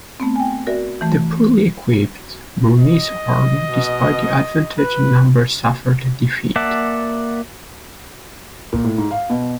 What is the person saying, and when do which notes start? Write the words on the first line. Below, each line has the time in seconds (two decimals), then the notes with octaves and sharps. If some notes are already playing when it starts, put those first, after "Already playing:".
The poorly equipped Burmese army despite the advantage in numbers suffered a defeat.
0.20 A3 B3 C4
0.36 G5 G#5
0.67 F#4 A#4 D5 E5
1.01 E3 A3
2.79 D#5
3.64 B2
4.78 B4
6.56 A#3 D5 E5 F#5 A5
8.72 A#2
8.84 A2
8.98 G#2
9.11 F5
9.30 B2